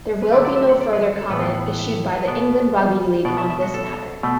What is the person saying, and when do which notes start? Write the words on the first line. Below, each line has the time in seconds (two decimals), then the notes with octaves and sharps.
There will be no further comment issued by England Rugby League on this matter.
0.22 B4
0.32 D3 F#3 A3 D5
0.45 D5
0.56 E5
0.69 F#5
0.81 D5
0.93 B4
1.06 F#4
1.18 A4
1.30 A2 E3 B3 B4
1.43 D5
1.54 F#5
1.66 F#5
1.79 E5
2.12 B4
2.28 B2 B3 D5
3.25 B2 B3 D5
3.38 E5
3.50 E5
3.62 F#4
3.74 A4
4.23 B2 A3